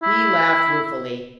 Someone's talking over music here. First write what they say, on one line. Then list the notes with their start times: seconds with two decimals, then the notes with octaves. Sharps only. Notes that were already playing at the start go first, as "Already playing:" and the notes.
He laughed ruefully.
0.03 E4